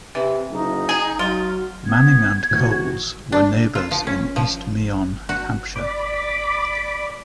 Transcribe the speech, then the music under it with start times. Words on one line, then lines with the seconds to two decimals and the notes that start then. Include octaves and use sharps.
Manning and Coles were neighbors in East Meon, Hampshire.
0.15 C3 E3
0.50 F#1 D#4
0.89 G#4
1.19 F#3 F4
1.86 B3 G#6
2.51 A2 D#3 E3 F#4
3.32 D4
3.75 F4
3.91 F3
4.07 C#4
4.36 F3
5.29 F#4
5.76 D5 B5 D6